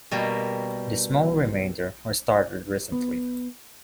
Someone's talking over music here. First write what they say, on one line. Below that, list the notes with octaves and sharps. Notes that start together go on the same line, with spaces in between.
The small remainder were started recently.
B2 G3 A#3
B3